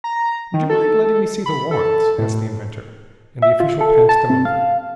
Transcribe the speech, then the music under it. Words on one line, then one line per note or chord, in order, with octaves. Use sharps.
"Would you mind letting me see the warrants?" asked the inventor, and the official passed them over.
A#5
D#3
A4
B5
A4
A2
E5
F4
A4
A5
C3
F5